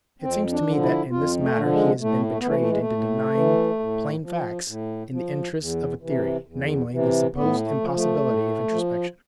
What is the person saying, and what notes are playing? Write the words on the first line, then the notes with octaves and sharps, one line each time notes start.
It seems to me that in this matter he has been betrayed into denying plain facts in the interests of a theory, namely, the supposed impossibility of introspection.
F2 C4
D4
D3 F3
E4
F2 F4
A3
D3 F3
G#3
A2 A3
A3
B3
E3 A3
A3
G#3
A3
A2
E3
A2
F3
A2
F3
E2
C3 E3
E2
C3 E3
A2 B3
A3
F3
A3
A2
F3